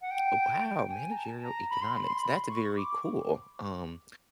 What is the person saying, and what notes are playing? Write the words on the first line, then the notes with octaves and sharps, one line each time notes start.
Oh, wow! Managerial economics. That's very cool, um,
F#5
G5
G#5
A#5
A5
A#5
B5
C6
B5
C6
B5
C#6
D6